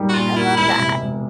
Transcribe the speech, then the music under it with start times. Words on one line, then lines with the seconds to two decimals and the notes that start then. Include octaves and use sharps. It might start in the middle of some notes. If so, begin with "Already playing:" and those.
I love that.
Already playing: A#2 G3 A#3 D#4
0.09 F#4
0.14 A#2 F4
0.36 A#3 E4
0.57 E1 E4
0.79 C3
1.00 E1